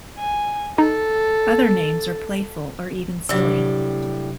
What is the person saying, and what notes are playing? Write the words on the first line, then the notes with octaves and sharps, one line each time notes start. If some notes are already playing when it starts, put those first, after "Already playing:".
Other names are playful or even silly.
G#5
D#4 A4
A2 C3 F#3 G3 D4